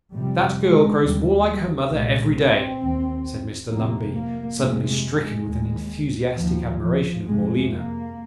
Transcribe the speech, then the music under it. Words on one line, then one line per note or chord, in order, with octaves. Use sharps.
'That girl grows more like her mother every day,' said Mr Lumbey, suddenly stricken with an enthusiastic admiration of Morleena.
F2 C3 G3
G#3
D#2 G3
G3
C2 A#2 G#3
C4
D#2
F2 C3 A#3
A#3
F2 C3 G#3
G#3
D#2
D#2 F3
F3
F2 C3 G#3
A#3